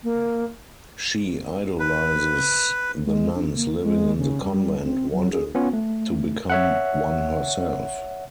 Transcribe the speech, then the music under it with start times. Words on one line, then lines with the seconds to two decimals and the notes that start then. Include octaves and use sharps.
She idolizes the nuns living in the convent, wanting to become one herself.
0.04 A#3
1.80 B4
3.04 G#3
3.35 D4
3.55 A#3
3.83 G#3
4.18 C#3
4.43 G3
4.83 C4
5.12 F#3
5.32 G#4
5.55 B3 C#4 F4
5.73 A3
6.50 C#5 E5 F#5